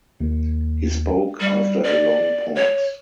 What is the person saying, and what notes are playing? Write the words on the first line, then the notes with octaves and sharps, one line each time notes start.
He spoke after a long pause.
D#2
G3
D5
C#5